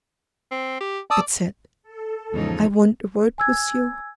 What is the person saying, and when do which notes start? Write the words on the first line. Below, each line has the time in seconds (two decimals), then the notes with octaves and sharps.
It said: "I want a word with you."
0.51 C4
0.81 G4
1.11 D5 A5 D#6 E6
1.83 A4
2.34 E2 G#2 C#3 F3 G#3 D#4
3.38 G#5 E6 G#6